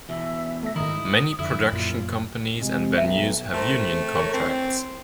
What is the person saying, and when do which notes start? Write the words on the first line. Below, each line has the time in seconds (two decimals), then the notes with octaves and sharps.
Many production companies and venues have union contracts.
0.09 E2 B2 E5
0.63 A3 E5 A#6
0.76 G#2 D#3 E4 D#6
1.39 F2 D3 E4 E5 D#6
1.72 F#2 A#2 F4
2.59 C3 G#3
2.97 B1 E5
3.54 A3 C4 A#4 C5
4.15 A#4 C#5
4.33 E3 C4